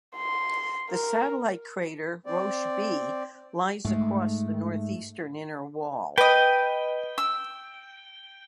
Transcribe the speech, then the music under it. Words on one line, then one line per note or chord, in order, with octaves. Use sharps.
The satellite crater Roche B lies across the northeastern inner wall.
C6
A#4
C4 D5
G#2 G#3 A3
B4 D#5 G5
E6